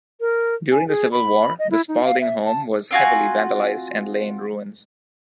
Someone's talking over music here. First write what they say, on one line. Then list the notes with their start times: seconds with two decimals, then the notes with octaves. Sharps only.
During the Civil War, the Spalding home was heavily vandalized and lay in ruins.
0.20 A#4
0.72 G#5
0.88 G#4
1.12 B5
1.59 D#5
1.71 E4
1.88 D#4
2.04 F5
2.20 E5
2.45 A5
2.91 C4 F4 F#4 G#5